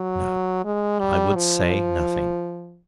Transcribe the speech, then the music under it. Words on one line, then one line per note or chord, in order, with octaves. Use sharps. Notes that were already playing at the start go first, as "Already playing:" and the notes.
No, I would say nothing.
Already playing: F#3
G#3
G3
F3